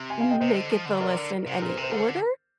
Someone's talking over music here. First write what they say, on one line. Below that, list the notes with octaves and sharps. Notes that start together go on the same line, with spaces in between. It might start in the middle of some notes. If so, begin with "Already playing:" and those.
m make it the list in any order.
Already playing: C3
G#5 C6
F5 G#5
D#5 G5
C3 C5 D#5
D3
F3
D3
C3 A#4 D5
D3
C3
A#2 A#4
C5
C3 A#4
C5
D3 A#4
C5